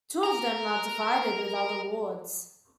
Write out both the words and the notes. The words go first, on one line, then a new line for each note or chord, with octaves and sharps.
Two of them are divided with other wards.
A#4 A#5